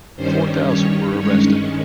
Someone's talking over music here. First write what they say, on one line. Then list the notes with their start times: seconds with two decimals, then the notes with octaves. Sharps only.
Four thousand were arrested.
0.16 G2 D#3 G3 C#4 C5
0.67 C#5
1.18 G2 D#3 G#3 C#4 C#5